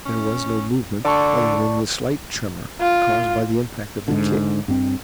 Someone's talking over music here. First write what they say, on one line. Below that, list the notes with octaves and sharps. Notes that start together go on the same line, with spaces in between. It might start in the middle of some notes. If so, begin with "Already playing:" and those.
There was no movement other than a slight tremor caused by the impact of the kick.
C#4
D3 D5 A5 C#6
F4
G#2 D3
G2 C4